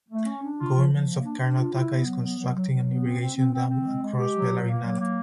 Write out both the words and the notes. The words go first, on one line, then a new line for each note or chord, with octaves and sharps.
Government of Karnataka is constructing an irrigation dam across Bellary Nala.
A3
C#4
D4
F4
F3
F3
A#3
D4
D4
F4
E4
B3
F#3
B3
F#3
F#3
F#3
B3
C4
C4
C4
C4
C4
G#3
G#3
G4
F#3
A#2
A#3
F#3
A#3